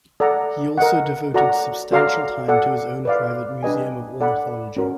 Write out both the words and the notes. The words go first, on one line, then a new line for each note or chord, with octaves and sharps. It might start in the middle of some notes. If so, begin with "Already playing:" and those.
He also devoted substantial time to his own private museum of ornithology.
A4 D5 F#5 A#5
A#4 D#5 F#5
F#4 A4 D5 F#5 A#5
F#4 A4 D5 F5 A#5
A4 D5 F#5
B4 D5 F5
D4 G4 B4 D#5 G#5
A4 D5 F#5 B5
C#4 F#4 A#4